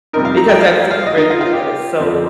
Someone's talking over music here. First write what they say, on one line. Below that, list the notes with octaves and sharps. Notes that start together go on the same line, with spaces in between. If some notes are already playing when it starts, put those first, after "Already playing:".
because that's the Caribbean, that it's so,
F2 C3 G3 C4 D#4 A#4
F5
A#5
G5
F5
F5
D#5
D#4
F4
F4
G4
F2 F3 C4